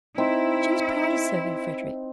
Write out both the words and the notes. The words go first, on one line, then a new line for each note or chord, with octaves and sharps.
She was proud of serving Frederick.
C4 D#4 E4